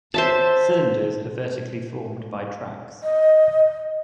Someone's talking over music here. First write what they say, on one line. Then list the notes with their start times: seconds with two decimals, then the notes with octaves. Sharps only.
Cylinders are vertically formed by tracks.
0.14 C5 E5 A5
3.03 D#5